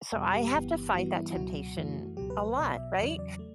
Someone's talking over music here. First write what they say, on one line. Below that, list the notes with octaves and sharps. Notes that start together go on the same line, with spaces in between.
so, I have to fight that temptation a lot, right?
E2 B2 G3
G4
G1 G2 E3 B3
G2 E3 G3 B3 F#4
E4
E4
C#2 B2 F#3 F#4
F#2 E3 A3
C#2 B2 F#3 G4
B4
B4
B1 B2 F#3 D5
E5
E2 C#3 F#3 D5
D5
A3